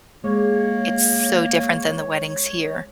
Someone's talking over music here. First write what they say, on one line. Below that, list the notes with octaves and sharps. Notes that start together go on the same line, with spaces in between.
it's so different than the weddings here.
G#3 A#3 C#5